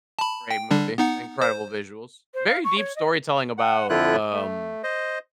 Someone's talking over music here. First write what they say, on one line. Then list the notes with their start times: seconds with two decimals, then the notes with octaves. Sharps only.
Great movie, incredible visuals, very deep storytelling about, um,
0.19 A5 B5
0.51 G5
0.71 D3 G3 D4
0.98 B3 D#4 F#5
1.42 C5
2.34 C5
2.47 F5
2.64 C#6
2.78 C#5
2.96 D#5
3.58 F#5
3.90 F2 D3 F3 E4 F4 F#6
4.33 A3
4.84 C5 D#5